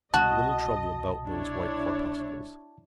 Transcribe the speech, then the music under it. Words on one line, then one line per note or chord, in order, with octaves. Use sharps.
A little trouble about those white corpuscles.
C2 B2 F#4 D#5 A5
D4 E4 C#5